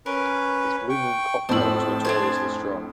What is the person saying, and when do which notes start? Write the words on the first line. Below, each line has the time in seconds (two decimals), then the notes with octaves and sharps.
His Blue Moon cocktail was notoriously strong.
0.06 C#4 A#4 B4
0.89 G5 C#6
1.49 F2 A2 C5 A5 E6 F#7
2.05 D4 G#4 C5